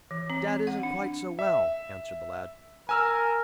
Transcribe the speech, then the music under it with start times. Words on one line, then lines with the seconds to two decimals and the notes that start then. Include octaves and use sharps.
"Dad isn't quite so well," answered the lad.
0.11 E3
0.30 C4
0.67 F#5
0.83 D4
1.39 E5
2.89 A#4 G#5 E6 F6